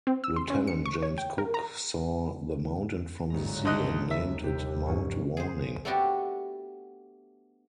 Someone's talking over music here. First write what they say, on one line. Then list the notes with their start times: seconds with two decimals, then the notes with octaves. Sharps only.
Lieutenant James Cook saw the mountain from the sea and named it Mount Warning.
0.07 C4
0.24 E6
0.36 C6
0.50 C#4
0.67 C#7
0.86 C#6
1.02 C#5
1.18 G5
1.38 A#4
1.54 A#5
3.30 G1 G#2 C#3 F#3 A#5
3.65 D2 D#5 F#6
4.11 D#2 E5
4.44 C3 G4
4.86 F1 G2 C#4
5.37 G#4 C5
5.85 A3 B3 D4 F#4 G4